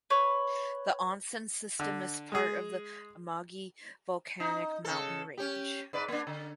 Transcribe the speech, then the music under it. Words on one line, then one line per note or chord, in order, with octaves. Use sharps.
The onsen system is part of the Amagi volcanic mountain range.
B4 C#5
D3
G#3 G#4
D#4
C#3 A4
C#4 G4
G#2 B4 D5
A#3 D4
D3